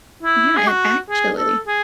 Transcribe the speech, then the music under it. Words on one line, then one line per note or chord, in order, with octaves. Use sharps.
Yeah. And, actually"
E4
G#4
F#4
G#4
A4
G#4